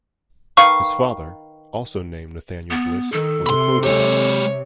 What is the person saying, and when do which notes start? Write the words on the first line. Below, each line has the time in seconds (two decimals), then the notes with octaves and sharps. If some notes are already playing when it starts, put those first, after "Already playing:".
His father, also named Nathaniel Bliss, was a clothier.
0.57 D#3 B4 F5 C#6
2.71 B3
3.12 D#3 A4
3.46 C3 B5 C6
3.83 G#3 G4 C#5